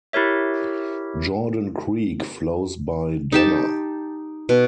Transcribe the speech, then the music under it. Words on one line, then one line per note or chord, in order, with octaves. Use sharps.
Jordan Creek flows by Danner.
E4 G4 A#4 C#5 E5
D#4 G4 A5
B2